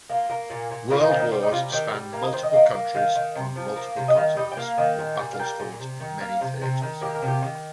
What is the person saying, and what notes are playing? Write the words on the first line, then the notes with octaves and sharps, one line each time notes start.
World wars span multiple countries on multiple continents, with battles fought in many theaters.
A#3 F4
A#3
A#2
A#2
A#3 F4
D#4
D#3 C4
D#4
G3 C4
D#4
C3 F4
D#3 G5
G3
A#3 F5
D#5
D#3 C5
D#5
A#3
A#3
D#3 F5
D#3
C3
F3
A#3
C3
D#5
D#3 F5
G3 D#5
G5
A#3 F5
D#3
A#2
G3
F5
A#3 G5
A#2
C3
D#3
A#3 F5
C3
C3
D#3
A#3 G4
A#4
C3
G4
D#3